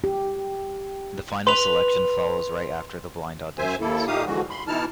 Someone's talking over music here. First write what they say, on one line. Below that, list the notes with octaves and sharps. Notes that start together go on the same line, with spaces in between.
The Final selection follows right after the blind auditions.
G4
B4 C6 F7
F#2 C5 E5 G#5
D#2 A#3 E4 A4
A#2 A3 D#4 G4 F5 D#6
D3 E3 F3 G#3 F#4
B5 C6
B2 E3 D#4 E4 A5 F6